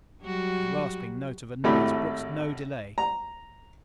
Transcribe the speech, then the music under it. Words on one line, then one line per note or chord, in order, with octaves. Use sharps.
His rasping note of annoyance brooked no delay.
F#3 G3 F#4
G#1 A2 A3 F#4 G4 B5
A#5